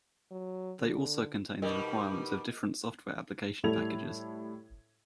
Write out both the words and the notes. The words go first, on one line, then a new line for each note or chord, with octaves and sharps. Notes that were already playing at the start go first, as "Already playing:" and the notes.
They also contain the requirements of different software application packages.
F#3
D3
B2 G3 D#4 A#4 D#5
A2 G3 E4 A4 G#6 F7